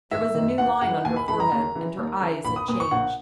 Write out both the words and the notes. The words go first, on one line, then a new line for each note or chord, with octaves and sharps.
There was a new line on her forehead, and her eyes had changed.
G#1 E5
F#2 D#3
D#2 F#5
C#3 E3 F#5
D#2 G#5
B5
C#3 E3 B5
A#5
D#2
C#3 E3
D#2
C#3 E3
A#1 B5
D#6
A#2 D#6
C#6
A#1 F#5